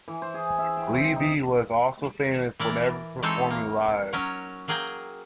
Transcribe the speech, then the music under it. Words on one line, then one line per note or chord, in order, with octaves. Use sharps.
Leevi was also famous for never performing live.
E3
C5
G#4
E5
G5
C4
D#4
E3 A#4 D5
E3 G#3 C4 D#4 A4 C#5
A#3
F#3 C#4 A#4 C#5
F#3 A#3 G#4 G5 A#5